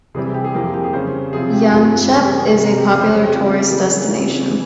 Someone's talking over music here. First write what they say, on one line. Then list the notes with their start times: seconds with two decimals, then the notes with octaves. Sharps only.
Yanchep is a popular tourist destination.
0.15 C3 E3 G3 C4 E4 G#4
0.25 G#4
0.34 G4
0.44 G#4
0.54 F2 E3 A#3 E4 G4
0.64 G#4
0.74 G4
0.84 G#4
0.93 F2 C#3 G3 C#4 C5
1.33 C3 F3 C4 E4 G#4
1.52 G4
1.72 G2 G3 C4 F4
2.12 C#3 E3 G3 A#3 G#4
2.25 G4
2.38 G#4
2.52 C3 G3 A#3
2.65 A#4
2.78 G4
2.91 F2 C#3 G3 G#4
3.01 C5
3.11 C#5
3.21 G4
3.30 C#3 F3 C4
3.70 C#3 E3 G3 A#3 G#4
4.09 C#3 G3 C4 F4
4.50 E3